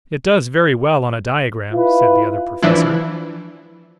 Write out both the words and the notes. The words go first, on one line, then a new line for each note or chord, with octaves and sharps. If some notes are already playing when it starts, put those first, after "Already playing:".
"It does very well on a diagram," said the Other Professor.
E4 F4 B4
E3 F3 D4 E4